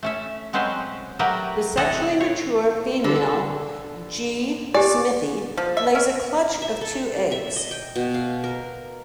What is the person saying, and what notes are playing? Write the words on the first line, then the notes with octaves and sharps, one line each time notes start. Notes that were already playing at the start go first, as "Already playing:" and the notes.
The sexually mature female "G. smithii" lays a clutch of two eggs.
A3 C#4 E5
F#3 G#3 C4 C#4 B4 C5
F#3 A3 G4 A#4 B4
C3 E3 A4 C#5 D#5 F#5
C#5
D3 A4
G4 D5 G#5
F3
E5
C#4
E5
A4
E5
D#5
G5
B2
F5
A#4